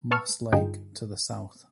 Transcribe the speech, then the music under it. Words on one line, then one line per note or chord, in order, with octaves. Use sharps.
Moss Lake to the south.
B4 A5 C#6 E6 F6
G2 D3 D#4 F4 G#4 G5